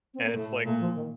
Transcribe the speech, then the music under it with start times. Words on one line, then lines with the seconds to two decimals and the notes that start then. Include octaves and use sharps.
And it's like,
0.14 C4
0.24 A#3
0.34 A2 A3
0.64 A#2 A3
0.80 F3
0.94 D#3